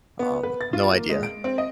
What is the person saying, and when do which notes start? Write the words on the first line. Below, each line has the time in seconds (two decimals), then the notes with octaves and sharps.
Um, no idea.
0.19 B3
0.43 B4
0.61 A6
0.73 F4
0.93 A#3
1.10 G#3
1.23 D7
1.44 C4
1.58 D#5